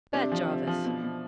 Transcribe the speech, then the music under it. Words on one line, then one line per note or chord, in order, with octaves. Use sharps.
Bat Jarvis.
C3 D4
F3
C3
F3
B2
B2